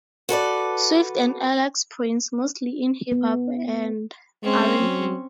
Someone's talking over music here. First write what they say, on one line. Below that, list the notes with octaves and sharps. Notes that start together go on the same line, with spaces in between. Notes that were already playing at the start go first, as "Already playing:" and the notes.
Swift and Alex Prince, mostly in hip-hop and R and B.
F#4 A4 B4 D5
B3
G#3 C4 C#4
F#3